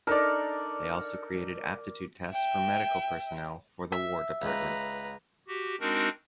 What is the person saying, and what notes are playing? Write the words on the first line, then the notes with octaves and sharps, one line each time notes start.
They also created aptitude tests for medical personnel for the War Department.
D4 D#4 A4 A#4 D5
E5 G5
E5
C#2 B4 A#5
F#4 G4
G#3 C4 D4 D#4 F#4 A#4